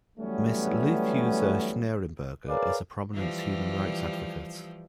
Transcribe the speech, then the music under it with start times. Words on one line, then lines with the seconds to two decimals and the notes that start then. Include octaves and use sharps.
Ms Leutheusser-Schnarrenberger is a prominent human rights advocate.
0.18 E3 F#3 G3 A3 B3 C#4
2.48 G#4 A#4 B4 C#5 D5 F5
3.14 E3 F3 G3